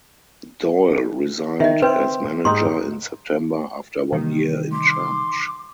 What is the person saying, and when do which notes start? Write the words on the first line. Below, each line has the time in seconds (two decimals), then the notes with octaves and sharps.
Doyle resigned as manager in September after one year in charge.
1.60 D#3 D#5 E5
1.82 C4 B4 G5
2.45 G#2 D#4 G4 C6
4.12 C3 D#3 E3 G3
4.73 C6 D6